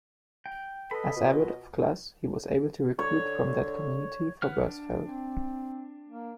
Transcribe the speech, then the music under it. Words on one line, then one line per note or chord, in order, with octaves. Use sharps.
As abbot of Clus, he was able to recruit from that community for Bursfelde.
G5
A4 B4 D#5 B5
B2 F4
D3 C#5
B4 F#5 F6
D4
C4
A#3